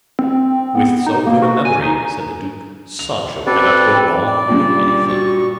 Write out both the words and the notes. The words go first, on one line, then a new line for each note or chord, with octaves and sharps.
"With so good a memory," said the duke, "Sancho cannot go wrong in anything."
C4
B3
D#4
A#3
F#4
G#5
D#4
F7
C4 F#4 A4 B4 D5 G5
D5
G2 A#2 C#4
F#4 C#6